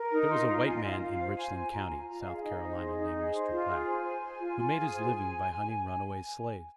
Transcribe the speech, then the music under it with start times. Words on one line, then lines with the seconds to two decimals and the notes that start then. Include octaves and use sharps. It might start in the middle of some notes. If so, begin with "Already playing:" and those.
There was a white man in Richland County, South Carolina, named Mr. Black, who made his living by hunting runaway slaves.
Already playing: A#4
0.12 D#4
0.30 F4 C6
0.47 F4 A#5
0.65 F4 G#5
0.76 D#5
0.83 F4 F5
1.00 F4 F5
1.19 C5
1.36 C5 G#5
1.54 F4
1.72 F4 A#5
1.89 F4 G#5
2.07 F4 A#5
2.21 D#5
2.25 G#4 F5
2.36 F5
2.43 D#4 D#5
2.61 C5
2.79 G#4
2.96 D#4
3.14 G#4
3.32 C5
3.50 F4
3.68 G#4
3.85 C5 G#5
4.03 C5
4.21 C5
4.39 F4
4.57 F4
4.74 G#4
4.92 C5